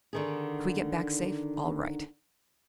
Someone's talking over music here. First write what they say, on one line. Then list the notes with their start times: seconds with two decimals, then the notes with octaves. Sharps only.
If we get back safe--all right.
0.13 D3 D#3 G#4